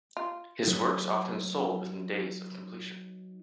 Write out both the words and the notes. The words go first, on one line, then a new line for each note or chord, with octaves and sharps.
His works often sold within days of completion.
F4
F#3 D#4 B4 C#5